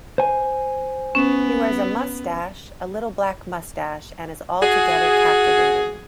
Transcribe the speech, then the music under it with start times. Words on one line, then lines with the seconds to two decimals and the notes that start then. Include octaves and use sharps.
He wears a moustache, a little black moustache, and is altogether captivating.
0.18 C5 G#5
1.15 B3 C#4
4.61 F#4 G#4